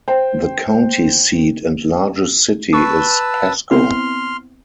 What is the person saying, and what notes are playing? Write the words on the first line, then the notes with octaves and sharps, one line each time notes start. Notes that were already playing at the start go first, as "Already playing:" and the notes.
The county seat and largest city is Pasco.
C5 G5
B4 A5 C#6 E6
B3 C4 E4 C6 F6